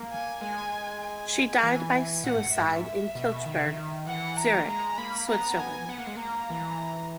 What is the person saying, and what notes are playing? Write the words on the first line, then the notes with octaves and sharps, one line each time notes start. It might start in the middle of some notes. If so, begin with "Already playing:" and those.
She died by suicide in Kilchberg, Zurich, Switzerland.
Already playing: A#3
G#5
G#3 G#5
G#5
E3
A#2 F#5
G#2
G#2 E5
B2
D#3
C#3
D#3
E3 F#5
A#5
A#3
G#3 A#5
A#3 B5
B3 A#5
G#5
B3 F#5
A#3
G#3
A#3 A#5
E3